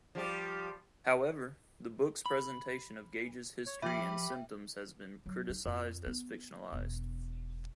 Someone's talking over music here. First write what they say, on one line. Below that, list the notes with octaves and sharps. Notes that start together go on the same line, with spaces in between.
However, the book's presentation of Gage's history and symptoms has been criticized as fictionalized.
F3 G3 G4
B5
C#5
B1 F3 G4 E5 G5 B5
F#3
D#4
F2 F4
B3
E1 B3